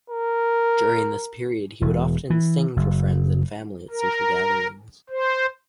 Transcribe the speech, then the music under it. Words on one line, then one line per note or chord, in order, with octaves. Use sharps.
During this period, he would often sing for friends and family at social gatherings.
A#4
E1
E3
F#1
A#4
C5